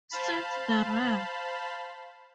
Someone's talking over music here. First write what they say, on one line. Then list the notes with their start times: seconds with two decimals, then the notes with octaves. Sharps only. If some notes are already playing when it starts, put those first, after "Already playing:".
Since the Rev.
0.11 C5 F5 A5 B5